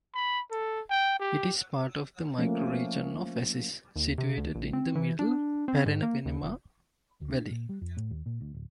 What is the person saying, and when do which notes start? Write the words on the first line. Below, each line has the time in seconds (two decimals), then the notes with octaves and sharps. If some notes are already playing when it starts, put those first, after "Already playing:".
It is part of the Microregion of Assis, situated in the middle Paranapanema Valley.
0.15 B5
0.51 A4
0.90 G5
1.20 G4
2.38 F3 A3 A#3 C#4
3.96 D#2
4.18 C3
4.37 D2
4.55 A#1
4.73 C4
4.95 E3
5.19 D4
5.68 C4
5.86 G#2
6.03 A#3
6.26 D#2
6.42 F1
7.21 D2
7.34 D4
7.51 A#2
7.69 G3
7.81 F2
7.97 A2
8.11 D#2
8.26 A#2
8.41 D2
8.54 D1